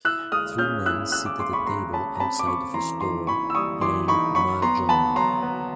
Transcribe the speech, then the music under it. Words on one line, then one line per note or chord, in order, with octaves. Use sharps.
Three men sit at a table outside of a store, playing Mahjong.
E4 E6 F#6
G#3 D#6 F6
C#4 F6 G6
E4 E6 F#6
E4 E6 F#6
D6 E6
G#3 C6 D6
B5 C#6
G#3 A#5 C6
C#4 A5 B5
A#5
C4 A5 B5
D6
C4 B5 C#6
E3 A#5 C6
D#4 A#5 C6
E3 B5 C#6
E6
G3 C#6 D#6
E3 C6 D6
D#4 B5 C#6
F#3 B5 C#6
B3 A#5 C6
B3 A5 B5
F#3 A#5 C6
B3